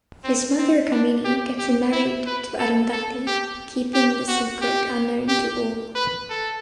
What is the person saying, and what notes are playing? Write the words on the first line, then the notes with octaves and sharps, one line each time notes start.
His mother Kamini gets him married to Arundhati keeping the secret unknown to all.
C4
C4
D4
G4
G4
E4
B4
A4
A4
G4
G4
F#4
G4
G4
B4
A4